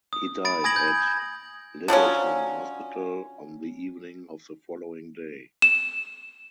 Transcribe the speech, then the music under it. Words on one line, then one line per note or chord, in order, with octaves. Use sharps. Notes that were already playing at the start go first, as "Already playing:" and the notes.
He died at Lyttelton hospital on the evening of the following day.
D#6
B5 A6 D7
G#5 D#6 G#6 A#6 D7 F#7
G6 G#6
D3 F3 F#3 C#4
E7